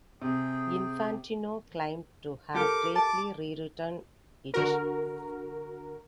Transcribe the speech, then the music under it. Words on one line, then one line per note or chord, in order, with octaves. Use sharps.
Infantino claimed to have greatly rewritten it.
C3 G#4 G5
G4 A4 A#4 D6
A5 D6
D3 F#4 A#4